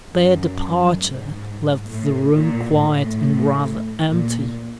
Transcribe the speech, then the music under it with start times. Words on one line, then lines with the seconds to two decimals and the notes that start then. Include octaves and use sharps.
Their departure left the room quiet and rather empty.
0.11 F#2
1.00 G#2
1.88 A2
2.33 A#2
2.77 A2
4.09 A#2